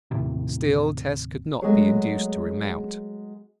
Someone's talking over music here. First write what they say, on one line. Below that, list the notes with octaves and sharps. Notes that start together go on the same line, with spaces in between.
Still Tess could not be induced to remount.
D#2 A2 C3
F#3 G#3 A3 B3 G#4 C#5